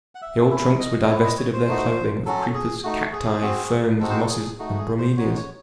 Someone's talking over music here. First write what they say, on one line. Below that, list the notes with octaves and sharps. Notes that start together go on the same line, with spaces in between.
The old trunks were divested of their clothing of creepers, cacti, ferns, mosses, and bromelias.
F#5
E5
A3 C#4 E4 E5
D#5
D#5
C4 E4 C#5
D#5
C#5
C5
A3 D#4 F#4
F#3 C#4 F#4 A4
G#4
A3 D#4 F#4
G#4
C4 F#4
G#3 C4 D#4 F#4 A4
C5
A4
G#4
A3 D#4 F#4
G#4
C5
G#3 D#4 F#4 C#5
C#5